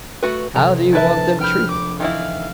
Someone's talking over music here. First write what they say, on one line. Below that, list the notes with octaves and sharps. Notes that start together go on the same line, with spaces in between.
'How do you want them treated?'
A3 F#4 B4
F1 A#5
D4 E4 A#4 B4 E5 A5
G5 B5 F6 G6
D6
D#3 E3 E4 F5